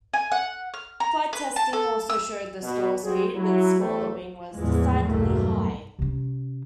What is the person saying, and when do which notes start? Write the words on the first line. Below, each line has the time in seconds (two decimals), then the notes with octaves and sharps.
Flight testing also showed the stall speed with the smaller wing was decidedly high.
0.13 G#5
0.32 F#5
0.74 F6
1.00 A#5
1.33 B4
1.56 A5
1.73 A4
2.10 E6
2.63 B2
3.03 F#3 G3 C4 F#4 G#4
3.35 F#3 E4
3.79 E2 G2 A3 C4
4.56 E2 A2 E3 F3 G#3 B3
5.05 B1 E2 G2 B2 A3 A#3
5.99 C3 C#4